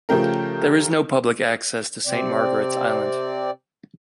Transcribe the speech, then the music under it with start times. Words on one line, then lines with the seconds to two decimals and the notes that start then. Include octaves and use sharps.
There is no public access to Saint Margaret's Island.
0.09 C#3 F3 A3 G4 A#4
2.05 C3 C4 D5